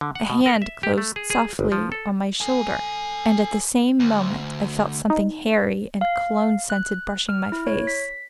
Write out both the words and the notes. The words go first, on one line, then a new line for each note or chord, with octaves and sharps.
A hand closed softly on my shoulder, and at the same moment I felt something hairy and cologne-scented brushing my face.
D3
F#5
B2
A#4
E5
G4
A3
G#4
G#4
G1
F3
A4
A4 G#5
D2
D#4
F5
F#6
F6
E4
C#5
B6